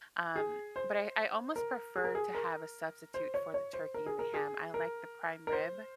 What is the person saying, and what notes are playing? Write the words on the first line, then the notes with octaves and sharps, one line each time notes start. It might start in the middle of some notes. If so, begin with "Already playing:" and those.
um, but I I almost prefer to have a substitute for the turkey and the ham, I like the prime rib.
G#4
C5
A#4
G#4
A#4
G#4
A#4
C5
C#5
C#5
C5
A#4
G#4
A#4
G#4
A#4
A#4
C5